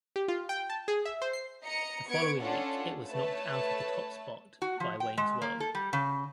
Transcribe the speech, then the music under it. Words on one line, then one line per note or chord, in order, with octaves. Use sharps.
The following week it was knocked out of the top spot by "Wayne's World".
G4
F4
G5
A5
G#4
E5
C5
C7
D#5 A#5 C#7
B3 C#6 G#6 D7
C#4 D4 F4 A4 F#5
A3 B4 C#5 A5
F#4
F3
G5
G#3
A#3
A4
G3
C#3